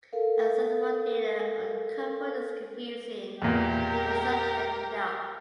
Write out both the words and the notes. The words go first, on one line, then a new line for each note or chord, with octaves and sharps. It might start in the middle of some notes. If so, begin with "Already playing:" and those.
Accessible data on the couple is confusing and subject to doubt.
A4 A#4 F5
E2 A#2 G4 A#4